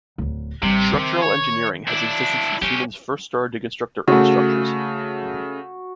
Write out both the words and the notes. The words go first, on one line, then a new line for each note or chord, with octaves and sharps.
Structural engineering has existed since humans first started to construct their own structures.
D1 D2
A1 C3 G3
D#3
C#5
D4 E4
F#3 C#4 G4
C#3 A3 F#4